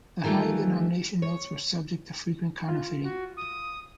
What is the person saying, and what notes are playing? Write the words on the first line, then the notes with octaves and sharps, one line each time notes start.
The higher-denomination notes were subject to frequent counterfeiting.
D#3 E3 G3 A3 F4
C#5
F4
F#4
D#6